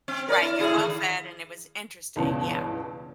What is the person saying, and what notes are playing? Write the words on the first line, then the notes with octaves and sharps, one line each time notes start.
Right, you're well fed, and it was interesting. Yeah.
C4
A#4 C#5 D5
E4
A2 E4 G#4
D#3
C#2 G2 B2 E3 C#4 A5